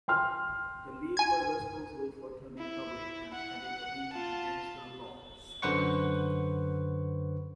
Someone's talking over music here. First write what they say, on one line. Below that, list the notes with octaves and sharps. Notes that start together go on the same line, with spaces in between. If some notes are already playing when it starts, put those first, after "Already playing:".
The League was responsible for turning public and elite opinion against the laws.
G5 C6 F6
G#5 G#6
E4
F#5
F4 A5
F#2 D3 B4 C5 F#5 C#6